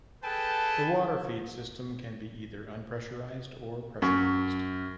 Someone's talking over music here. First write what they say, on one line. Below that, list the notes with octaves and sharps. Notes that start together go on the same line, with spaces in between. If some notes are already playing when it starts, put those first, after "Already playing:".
The water feed system can be either unpressurized or pressurized.
G#4 A4 B4 G5 A5
F#2 C#6